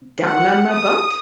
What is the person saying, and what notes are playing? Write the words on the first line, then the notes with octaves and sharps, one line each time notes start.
down on my butt.
F#5
D#6